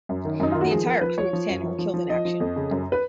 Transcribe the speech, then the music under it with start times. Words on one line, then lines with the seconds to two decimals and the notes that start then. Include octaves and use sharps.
The entire crew of ten were killed in action.
0.09 F#2
0.25 D#3
0.40 F#2 D#4
0.52 D#3 F4
0.61 F#4
0.71 F3 G#4
0.86 F3 A#4
1.01 F3 B4
1.17 F3 C#5
1.33 F3
1.49 F#2
1.63 F3
1.79 F3
1.94 F3
2.10 F3 D#5
2.25 F3
2.40 F2
2.56 C#3
2.71 F#2
2.92 B4